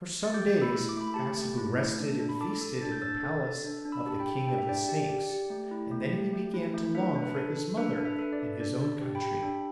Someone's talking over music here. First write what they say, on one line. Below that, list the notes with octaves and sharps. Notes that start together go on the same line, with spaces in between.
For some days Hassebu rested and feasted in the palace of the King of the Snakes, and then he began to long for his mother and his own country.
A6
G4 D6 G6
A3
B5 E6
E4
D6
A3 B5
G4 A5 D6
A3
E4
A3
D4
D4
B5
A4 A5 D6
A4
D4 A6
G6
D4 E6 A6
A4
A4
D4
D4
B5 E6
G4 A5
G5 B5
G4
D4 G5
E5
D4 D5 G5
G4
G4
G4
A3
E4
A3
G4
A3
E4
A3
D4 B4 E5
D4
B4
A4
A4
D4 B4 E5
D4
B4 E5
A4 B4
D5
A4
D4 D5
D4
G4
G5 B5
G4
D4